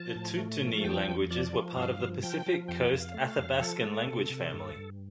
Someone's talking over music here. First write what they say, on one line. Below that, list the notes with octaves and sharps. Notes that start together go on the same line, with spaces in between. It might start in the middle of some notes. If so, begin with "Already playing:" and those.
The Tututni languages were a part of the Pacific Coast Athabaskan language family.
Already playing: F3 A5
A2
A3
F3
F2 G5
F2
F3 D5
F3
G2 F5
F3
F3 G5
F3
F2 G5
F2
F5
A3
F5
F2
F3 A4
A3
C3
C3
G2
G2